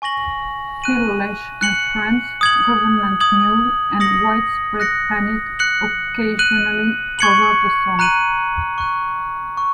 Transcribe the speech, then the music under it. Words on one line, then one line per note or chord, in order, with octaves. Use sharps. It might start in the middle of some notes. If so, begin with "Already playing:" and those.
Phil Lesh and Friends, Gov't Mule and Widespread Panic occasionally cover the song.
G#5 C#6 A#6 F#7
F#6 D#7 F#7
F#6 C#7 F#7
D#6 G#6 F#7
D#6 G#6 F#7
D#6 A#6 C#7 F#7
F#6 A#6 C#7 F#7
F#6 C#7 F#7
F#6 D#7 F#7
C#6 G#6 C#7 F#7
A#5 F#6 D#7 F#7
C#6 F#6 D#7
C#6